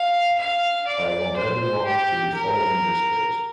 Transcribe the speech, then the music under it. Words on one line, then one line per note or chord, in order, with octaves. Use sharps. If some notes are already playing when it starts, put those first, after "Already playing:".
I want everyone to be following this case.
Already playing: F5
F5
D5
C5
G4
A#4